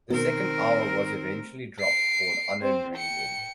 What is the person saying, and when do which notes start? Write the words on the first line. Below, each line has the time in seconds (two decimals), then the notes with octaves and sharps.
The second hour was eventually dropped for an unknown reason.
0.10 B2 D#3 C4 A#4
1.80 C7 D7
2.61 C4 C5
2.95 G5 C#7